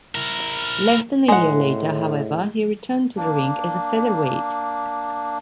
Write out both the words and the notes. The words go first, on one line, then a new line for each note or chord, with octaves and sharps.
Less than a year later, however, he returned to the ring as a featherweight.
E4 A#4
A2 G#3 F#5
A#3 D4